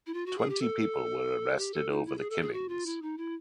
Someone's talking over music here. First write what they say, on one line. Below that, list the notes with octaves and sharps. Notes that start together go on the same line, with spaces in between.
Twenty people were arrested over the killings.
E4
F4
F#4
G#4
G4
A4
G4
A4
D#4
E4
G#4
A4
G#4
F#4
F4
E4
D#4
E4